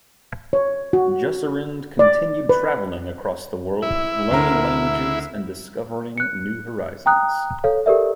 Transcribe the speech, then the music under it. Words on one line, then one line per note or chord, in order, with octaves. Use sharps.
Jusserand continued travelling across the world, learning languages and discovering new horizons.
C#5
F#4
D5
B4
E4
D2 A#4
F#6 C#7
G5 A#5 D#6 F#6
A4 C#5 F5
G4 A4 A#4 D5 E5